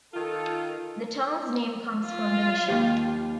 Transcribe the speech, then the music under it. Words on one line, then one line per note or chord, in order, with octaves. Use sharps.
The town's name comes from the mission.
D#3 F4 A4
F4
D#2 D#3 G4